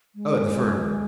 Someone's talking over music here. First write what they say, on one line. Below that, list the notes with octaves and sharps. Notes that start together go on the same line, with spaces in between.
Oh, the firm.
G#3